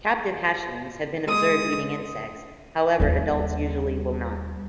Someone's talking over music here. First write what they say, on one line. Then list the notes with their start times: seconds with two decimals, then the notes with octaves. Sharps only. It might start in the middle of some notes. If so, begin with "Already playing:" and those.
Captive hatchlings have been observed eating insects; however, adults usually will not.
1.24 G#3 D#6
3.00 D#2 G3